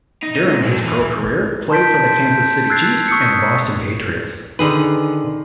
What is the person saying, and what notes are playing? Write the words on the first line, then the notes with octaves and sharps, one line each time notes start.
During his pro-career, played for the Kansas City Chiefs and the Boston Patriots.
D#4
G#2
F#3 C4
E3
A5 C6 G6 B6 D7
G6
E6 F#6 G#6 A6 C7
C#6 D#6 E6 G6 B6 C#7
D3 D#3 G#4 B4